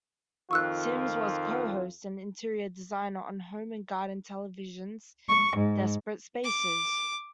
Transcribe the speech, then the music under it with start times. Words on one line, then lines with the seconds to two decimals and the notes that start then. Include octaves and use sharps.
Simms was a co-host and interior designer on Home and Garden Television's "Desperate Spaces".
0.51 F2 D#3 F4 C#6 E6 F#6
5.28 C#6
5.56 G#2
6.44 D6